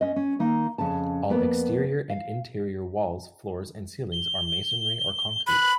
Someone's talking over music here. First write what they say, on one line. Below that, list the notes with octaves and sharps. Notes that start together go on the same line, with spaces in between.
All exterior and interior walls, floors and ceilings are masonry or concrete.
C#4 D#5
C#4
D#3 A#3 D#4
F2 C#3 C#4 A5
F2 A#3 B3
F5
G7
B5 F#6